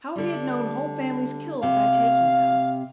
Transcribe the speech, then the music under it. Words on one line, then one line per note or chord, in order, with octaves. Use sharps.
How he had known whole families killed by taking them.
D3 G3
C3 F5